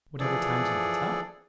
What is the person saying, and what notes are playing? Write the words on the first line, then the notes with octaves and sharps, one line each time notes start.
"Whatever time do you get up?"
E3 F3 G#4 A4 D5